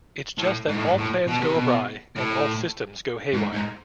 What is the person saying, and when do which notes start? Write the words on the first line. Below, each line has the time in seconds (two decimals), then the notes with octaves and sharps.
It’s just that all plans go awry and all systems go haywire.
0.38 A2
0.68 G#2
0.76 A2
0.85 G#2
0.98 A2
1.27 B2
1.40 C3
1.54 B2
2.15 A2
3.33 G#2
3.53 G#2